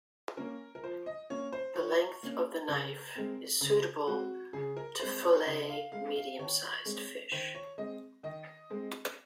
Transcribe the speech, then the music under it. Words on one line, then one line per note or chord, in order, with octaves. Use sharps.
The length of the knife is suitable to fillet medium-sized fish.
A#3 C#4 A#4
A#4
F3 C5
D#5
A#3 C#4 C#5
C5
F3 C#5
A#3 C#4
C#3 A#4
G#3 C4
C#3
G#3 C4 F#4
C#3 G#4
A#4
G#3 C4 C5
C#5
C#3 D#5
F5
G#3 C4 F5
F5
D#3 C#5
G#3 C4
D#3 C5
C#5
G#3 C4 D#5
D#3 D#5
G#3 C4